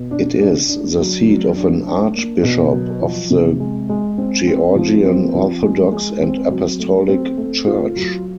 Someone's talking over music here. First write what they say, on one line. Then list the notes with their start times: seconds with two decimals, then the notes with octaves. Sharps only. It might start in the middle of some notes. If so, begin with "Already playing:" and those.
It is the seat of an archbishop of the Georgian Orthodox and Apostolic Church.
Already playing: B2
0.11 D4
0.40 D4
0.69 D4
0.98 F#3
1.27 F#3
1.56 D4
1.85 D4
2.14 A#3
2.43 B2
2.72 F#3
3.02 F3
3.30 C3
3.60 G#3
3.89 G#3
4.18 C4
4.47 C4
4.76 F3
5.05 C4
5.35 F3
5.63 G#3
5.92 G#3
6.21 C4
6.50 F#3
6.79 A3
7.09 C4
7.38 A3
7.67 F4
7.96 F#3